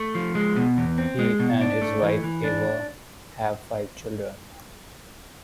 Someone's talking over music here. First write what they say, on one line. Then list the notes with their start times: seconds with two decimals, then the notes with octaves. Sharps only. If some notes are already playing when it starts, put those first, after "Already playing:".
He and his wife Eva have five children.
Already playing: A3
0.15 F3
0.35 G#3
0.57 B2
0.78 E2
0.98 C4
1.19 G#3
1.40 B2
1.61 D4
1.82 A3
2.02 E3
2.24 E3
2.44 D4